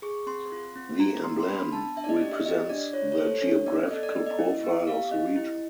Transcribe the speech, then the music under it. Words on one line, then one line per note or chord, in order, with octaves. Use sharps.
The emblem represents the geographical profile of the region.
G#4 C#6
C4 C6
F4
C4
F#4 A#5
B3 C6
C6
D4 B5
B3 A5
D4 E5
D5
D#5
G4 D5
E5
G4 D#5
D4 D5
F4 C#5
C#5
A4 C5
D4 C#5
B3 D5
A4 D#5
D5
B3
D#5
E4
B3
G4 F5
C4 D#5
E4